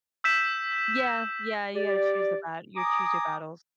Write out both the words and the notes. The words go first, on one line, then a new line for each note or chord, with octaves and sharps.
Yeah, yeah, you gotta choose the bat you choose your battles.
E6 G6 B6 E7
G4 D5
G#5 A#5 D6 D#6